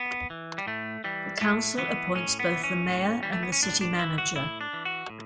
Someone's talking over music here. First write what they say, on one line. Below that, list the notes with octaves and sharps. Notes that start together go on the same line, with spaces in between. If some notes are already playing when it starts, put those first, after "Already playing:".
The council appoints both the mayor and the city manager.
Already playing: B3
E3
G3
A2 A3
E3 G3
A2 A3
E3 B3
A2 C#4
B3
E3
C#4
A2
E3 G3
A3
B3
C#4
A2 D4
D4
E3 E4
F#4
A2 E4
D4
E3
F#4
A2